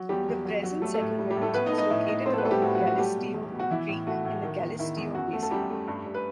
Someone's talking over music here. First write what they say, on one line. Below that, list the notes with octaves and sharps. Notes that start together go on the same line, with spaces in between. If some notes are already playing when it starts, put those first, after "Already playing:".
The present settlement is located along the Galisteo Creek in the Galisteo Basin.
Already playing: F#3
E2 G3 G4
E2
F#3
F#3
G3 A3 A4
A3 A4
A2
G3
G3 G4
A2
A3 A4
A2 B3 B4
D#4 D#5
A3
D#4 D#5
A2 E4 E5
A2 D#4 D#5
A2 C4 C5
A4
B3 B4
A3 A4
G3 G4
A2 F#4
F#4
F#3
F#4
G3 A3 G4
B2
E2
B2
F#4
E3 E4
A2
A3 F#4
A2
D#3
E2
D#3 E4
E2
F#2 F#4
A3
A4
F#2 G3 G4
A3
G2
G2
B4